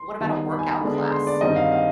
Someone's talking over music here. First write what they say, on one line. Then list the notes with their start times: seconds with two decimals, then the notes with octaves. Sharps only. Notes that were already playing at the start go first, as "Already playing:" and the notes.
what about a workout class?
Already playing: C6
0.20 D#3 G3 B3 D#4
0.51 B5
0.59 G#5
0.67 B5
0.81 D3 G#3 B3 D4
1.12 C6
1.27 D5
1.41 G2 D#3 G3 C4 D#5
1.56 F5
1.72 F5